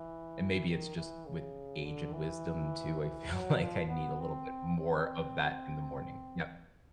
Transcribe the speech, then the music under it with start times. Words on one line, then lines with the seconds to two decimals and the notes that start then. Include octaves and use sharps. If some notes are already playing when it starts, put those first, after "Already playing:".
and maybe it's just with age and wisdom too, I feel like I need a little bit more of that in the morning Yep,
Already playing: E3
0.68 D#3
0.97 E3
1.26 C#3
1.85 D3
2.14 E3
3.01 E3
3.31 F#3
3.61 F3
3.89 B3
4.19 C4
4.78 C4